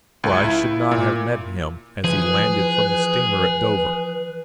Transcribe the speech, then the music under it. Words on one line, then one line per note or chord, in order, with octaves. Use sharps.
For I should not have met him as he landed from the steamer at Dover.
C#2
E4
A#2
E3 F3 G#4 B4 C5